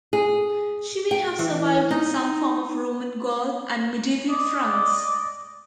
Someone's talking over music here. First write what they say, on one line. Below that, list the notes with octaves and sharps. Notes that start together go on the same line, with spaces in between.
She may have survived in some form in Roman Gaul and medieval France.
G#4
G5
E3
D#4
D5 D#5 D6